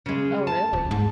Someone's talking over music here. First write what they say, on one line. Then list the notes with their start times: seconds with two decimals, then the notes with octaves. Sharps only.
Oh, really?
0.06 C#3 G#3
0.47 A5
0.73 D1
0.91 G#2